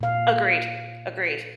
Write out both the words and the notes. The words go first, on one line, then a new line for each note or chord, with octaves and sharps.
Agreed. Agreed.
A#2 F5